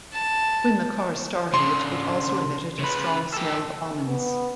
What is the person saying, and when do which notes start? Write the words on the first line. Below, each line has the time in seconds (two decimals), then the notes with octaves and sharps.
When the car started, it also emitted a strong smell of almonds.
0.13 A5
1.54 C#3 D4 C6
2.79 C#3 B4
3.34 G4 A4
4.06 B3